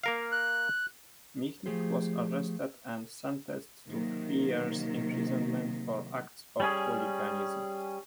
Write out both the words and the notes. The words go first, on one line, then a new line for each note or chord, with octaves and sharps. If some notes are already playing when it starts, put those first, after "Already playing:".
Michnik was arrested and sentenced to three years imprisonment for "acts of hooliganism".
A#3 A#4 F5
F#6
F3 A3 G4 G#4 C5
C3 D#3 F#3 A#3
G3 C#4 G#4